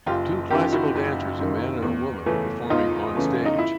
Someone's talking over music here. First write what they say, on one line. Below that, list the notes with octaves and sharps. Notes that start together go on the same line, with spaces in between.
Two classical dancers, a man and a woman, performing on stage.
F#1 F4 G4
F#2 D#3 F4 G4
E4 F#4
F#1
F#2 D#3
E2
C#3 E3 A3 C#4
E2 D#4 F4
C#3 E3 A3 C#4
D#4
E4